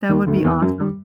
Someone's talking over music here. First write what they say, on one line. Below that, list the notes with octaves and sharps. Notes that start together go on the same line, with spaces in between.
That would be awesome.
D#2 D#3
D2 D3
D#3
E2 E3
F#2 F#3
G3